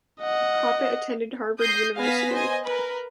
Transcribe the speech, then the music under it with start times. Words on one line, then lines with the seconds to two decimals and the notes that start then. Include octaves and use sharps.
Kopit attended Harvard University.
0.21 D#5 F#5
1.59 D#6 G6 A#6 C7
1.97 B3 F5 G#5 A#6 B6
2.31 C5 D#5 G#5
2.63 A#4 B4